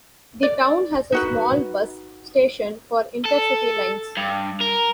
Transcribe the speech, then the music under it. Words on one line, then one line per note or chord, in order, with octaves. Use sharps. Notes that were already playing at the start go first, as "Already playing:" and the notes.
The town has a small bus station for intercity lines.
D5
D#4 F#4 B4
A4
G2
A#4